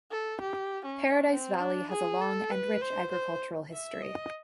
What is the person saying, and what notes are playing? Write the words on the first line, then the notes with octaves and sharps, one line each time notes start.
Paradise Valley has a long and rich agricultural history.
A4
G4
C#4
C4
D4
G#4
A4
B4
C5
C5
E5
D#5